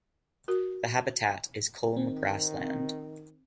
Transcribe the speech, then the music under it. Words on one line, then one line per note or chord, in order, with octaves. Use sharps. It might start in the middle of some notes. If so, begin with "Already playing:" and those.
The habitat is culm grassland.
F#4 A#4
D#3 C4